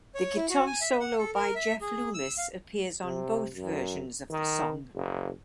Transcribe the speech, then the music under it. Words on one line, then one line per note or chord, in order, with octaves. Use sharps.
The guitar solo by Jeff Loomis appears on both versions of the song.
C#5
E4
F#4
G#5
E5
F#5
A4
A#4
E5
G#4
E6
F5
C3
F#2
D#3
F#1